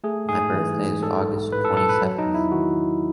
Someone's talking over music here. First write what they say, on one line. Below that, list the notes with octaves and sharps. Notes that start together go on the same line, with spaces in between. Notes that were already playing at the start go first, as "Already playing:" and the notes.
My birthday is August twenty-seventh.
A3 G#4
G#2 G#4
E3
G#2
G#3 A4
B1
A2 B4
A4
B1 A4
B4
F#3
D#4
E2
E4
D#3 F#4